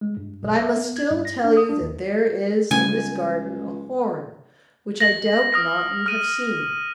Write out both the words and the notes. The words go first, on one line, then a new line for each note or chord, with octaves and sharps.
But I must still tell you that there is in this garden a horn which I doubt not you have seen.
G#3
G2
B1
E5
B3
G#6
G2
A#6
D4
D#6
D4
D#2
A1 C#3 G3 G#5
C#2
A#6 F#7
D#6 F6 A#6
F6 D#7